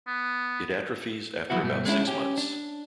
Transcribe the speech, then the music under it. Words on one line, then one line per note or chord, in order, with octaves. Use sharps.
It atrophies after about six months.
B3
F3 F#3 B3 E4 F#4
G2 B2 A3
G#3 C#4 D4 E4
C#4 G4
D4